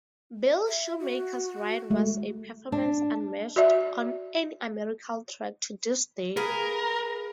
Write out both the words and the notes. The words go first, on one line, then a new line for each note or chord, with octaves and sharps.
Bill Shoemaker's ride was a performance unmatched on any American track to this day.
E5
F#4
G#3 A3
D4
F#4 D5 E5
G#4 A#4 B4 F5